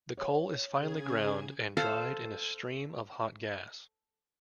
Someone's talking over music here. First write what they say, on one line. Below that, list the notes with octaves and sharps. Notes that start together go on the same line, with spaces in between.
The coal is finely ground and dried in a stream of hot gas.
C#5
C#3 G#4 G#6
A4 C5 F5